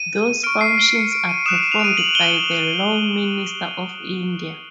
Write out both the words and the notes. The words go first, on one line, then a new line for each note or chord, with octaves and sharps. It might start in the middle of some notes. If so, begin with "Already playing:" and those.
Those functions are performed by the Law Minister of India.
Already playing: D#7
C#6 F6 D7
C7
C7
C#7
D7
D#7
D#6 F#6 E7
E7
F7
D7
D#7
F#7
G7